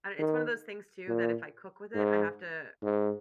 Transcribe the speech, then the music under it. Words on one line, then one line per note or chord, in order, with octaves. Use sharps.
uh, it's one of those things too that if I cook with it, I have to
D#3
A#2
G#2
G#2